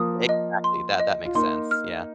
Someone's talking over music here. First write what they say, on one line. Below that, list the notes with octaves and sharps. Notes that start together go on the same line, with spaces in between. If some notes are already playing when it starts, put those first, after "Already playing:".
Exactly, that that makes sense, yeah,
Already playing: F3 A#3 D#6
D#5
C6
D#5
F4
A#3 D#4 C6
F6